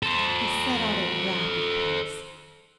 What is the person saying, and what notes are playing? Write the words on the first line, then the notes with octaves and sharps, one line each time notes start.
He set out at rapid pace.
A4 C5